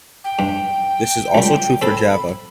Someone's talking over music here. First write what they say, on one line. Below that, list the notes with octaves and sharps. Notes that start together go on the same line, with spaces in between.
This is also true for Java.
G5
G2
C#2 G3
C4 A4 B5